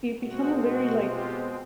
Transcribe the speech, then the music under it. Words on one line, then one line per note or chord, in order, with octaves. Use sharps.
you become a very like
B2 G#3 C4 F#4
F#4
F4 G4